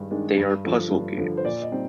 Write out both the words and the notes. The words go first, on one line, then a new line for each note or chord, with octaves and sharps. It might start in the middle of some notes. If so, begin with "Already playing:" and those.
They are puzzle games.
Already playing: G2 D#3 G#3
D#3 G#3 D4
G2
D3 F3
G2
D3 F3
C5
A#2 D5
D#5
G3 C4 D#4